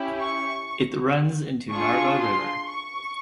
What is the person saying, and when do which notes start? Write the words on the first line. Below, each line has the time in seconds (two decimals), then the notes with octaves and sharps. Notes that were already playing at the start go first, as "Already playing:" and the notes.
It runs into Narva River.
Already playing: C#4 E4 G4
0.21 C#6
1.70 D4 F4 G#4 C#6
2.21 C6
2.70 C#6